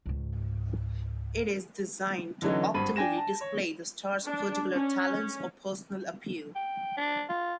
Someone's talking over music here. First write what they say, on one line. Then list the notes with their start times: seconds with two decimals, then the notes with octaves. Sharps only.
It is designed to optimally display that star's particular talents or personal appeal.
0.06 C#2 G#2
2.42 D3 E3 F#3 C#4 D#4
2.74 G#1 G2 B5 D#7
2.96 D4 G5 G#5 A#6 E7
3.17 A5
3.41 C#5
4.25 D4
4.73 C#4
6.55 G5
6.97 D4
7.29 F4